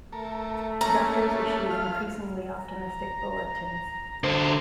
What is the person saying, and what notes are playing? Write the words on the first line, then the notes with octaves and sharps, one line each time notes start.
Doctors issued increasingly optimistic bulletins.
A3 A4 A#4
A#3 C#4 A5 A#5
F4 F6
A#5
D3 C5